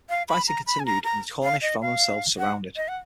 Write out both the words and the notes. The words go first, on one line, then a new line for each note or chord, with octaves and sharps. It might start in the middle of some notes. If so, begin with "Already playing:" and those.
Fighting continued and the Cornish found themselves surrounded.
F5
B5
A#5
B5
G#5
A#5
A#5
F5
D#5
F5
F#5
D#5
F#5